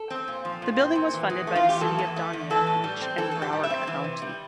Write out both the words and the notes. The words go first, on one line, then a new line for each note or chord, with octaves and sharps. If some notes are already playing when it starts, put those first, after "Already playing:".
The building was funded by the City of Dania Beach and Broward County.
Already playing: A4
C4
A#2
F3
A#2
C4
A#2
E3
E2
A3
F4
E2 G4
E3 A4
E2
A3
E2
E3 A4
A2
G3
C4
E3 A4
A2 A4
G4
G3
E5
C4
E3
C3
G3